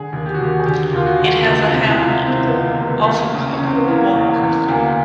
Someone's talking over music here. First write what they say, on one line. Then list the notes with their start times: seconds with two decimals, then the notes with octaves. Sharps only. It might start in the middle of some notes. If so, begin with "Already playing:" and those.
It has a hamlet, also called Walworth.
Already playing: D3 G#4
0.13 D#2
0.26 G4
0.34 F#4
0.40 D#2 G4
0.59 G#4
0.66 D3 G4
0.93 D#2 F4
1.06 F#4
1.19 D3
1.47 C#2 F4
1.73 C3
1.87 E4
1.98 C#2 F4
2.09 E4
2.27 C3 C4
2.48 B3
2.54 C#2
2.67 A#3
2.81 C#2
2.87 B3
3.03 A3
3.07 E2 A#3
3.34 C#3
3.53 C#4
3.61 E2 C4
3.76 B3
3.88 E3 A#3
4.15 E2
4.42 E2
4.68 D2 A#3